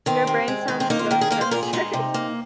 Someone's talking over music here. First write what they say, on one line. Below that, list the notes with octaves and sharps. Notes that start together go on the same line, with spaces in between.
Your brain sounds so structured. I
D#3 C4
C3
G#3
D#3
C4
A#3 D#4
F4
D#3 A#4
G#4
A#3 A#4
C5
A#2 A#4
G#4
G#3 D#4
C3
A#3